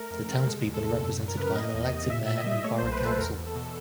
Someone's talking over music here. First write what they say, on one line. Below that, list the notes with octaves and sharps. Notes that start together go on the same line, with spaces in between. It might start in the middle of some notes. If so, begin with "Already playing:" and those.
The townspeople are represented by an elected mayor and borough council.
Already playing: A3 A#4
F2
C#3
G#3 A4
E2
A4
C3
F#2 A4
F#2
A#4
C#3 B4
A#4
A#3 D#5
E2
C3
A#2 E5
A#2 E5
D#5
G3
A3 C#5
C5
B1
B4
A#2 A4
E2 A#4
E2
A4
B2